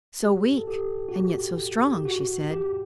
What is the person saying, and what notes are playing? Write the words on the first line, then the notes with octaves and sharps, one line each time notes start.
"So weak and yet so strong," she said.
G4
A4
G4
F#4
G4
G4
F#4
G4